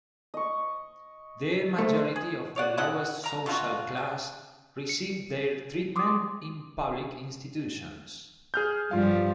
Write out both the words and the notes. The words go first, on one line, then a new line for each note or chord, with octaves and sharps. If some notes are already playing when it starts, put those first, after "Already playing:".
The majority of the lowest social class received their treatment in public institutions.
D#5 C#6
A3 A#4 C5 E6
G#4
C#5 D5 F#5
E4 A4 D#5 F#5
A#4 A#5
B2 A3 F4 F#4
D4
C#7
C6 D6 D#6
G#4 F6 G6
G2 F3 G3 F4 F5